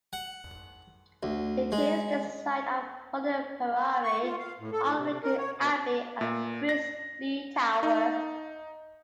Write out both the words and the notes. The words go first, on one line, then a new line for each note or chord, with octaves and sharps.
It is the site of Hulne Priory, Alnwick Abbey, and Brizlee Tower.
F#5
D2
G#3
C#6
F4
F5
A2
A4
A2
C3
C3
A#4
C#5
B2
A#2
A#6
D#4